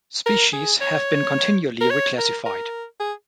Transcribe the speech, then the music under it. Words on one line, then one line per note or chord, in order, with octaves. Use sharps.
Species have been continually reclassified.
A#4
G#4
C#5
A#4
C#5
A#4
A#4
G#4